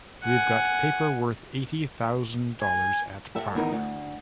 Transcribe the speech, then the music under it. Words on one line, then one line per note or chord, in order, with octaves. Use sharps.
We've got paper worth eighty thousand dollars at par.
F#5 G#5
G#5
G4 A4 E5
E2 D#3 D#4
D2